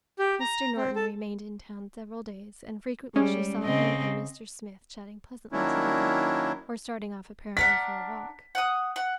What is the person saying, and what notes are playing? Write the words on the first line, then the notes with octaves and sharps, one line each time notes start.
Mr. Norton remained in town several days, and frequently she saw him and Mr. Smith chatting pleasantly together, or starting off apparently for a walk.
G4
A#5
C4
A4
G3 G#3 C#4
C#3 C4 D#5
D#3 F#3 A#3 C#4 D4 E4
D4 A#4 F#5 B6
F#5 D#6
F#5